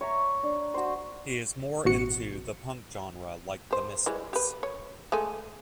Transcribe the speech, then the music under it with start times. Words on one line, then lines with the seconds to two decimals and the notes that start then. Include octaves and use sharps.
He is more into the Punk genre like the Misfits.
0.01 C#5 E5 A#5
0.43 D4
0.74 F#4 C5
1.85 A1 B2 F#4 C#7
3.71 G4 C5
4.06 E3 G3 G#3
4.33 G4 B4
4.63 C#5
5.12 G#3 A3 G#5